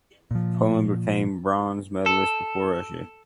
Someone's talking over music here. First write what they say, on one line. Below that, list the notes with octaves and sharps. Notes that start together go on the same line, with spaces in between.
Poland became bronze medalist before Russia.
A#2 F3
A4